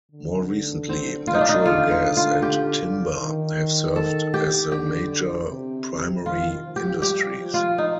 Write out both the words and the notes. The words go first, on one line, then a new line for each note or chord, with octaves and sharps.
More recently, natural gas and timber have served as the major primary industries.
D3
C4
F4
D#4
D4
D#4
D3 F4
F4
F4
G4
D#3
A4
G4
D3 G4
C3
D#3 F4
F3
G4
G3 G4
F3
F4
D#4